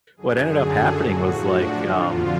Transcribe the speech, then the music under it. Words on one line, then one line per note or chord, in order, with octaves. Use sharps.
what ended up happening was like, um,
F#2 D3 F#3 G#4
A4
A2 F3 F#4
D4
F2 D3 F3 F4